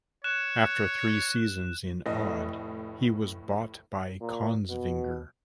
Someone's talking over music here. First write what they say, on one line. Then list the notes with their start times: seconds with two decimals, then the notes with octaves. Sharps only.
After three seasons in Odd he was bought by Kongsvinger.
0.24 C#5 F#6 E7
2.06 F1 A2 D#5
4.21 A#2
4.70 B2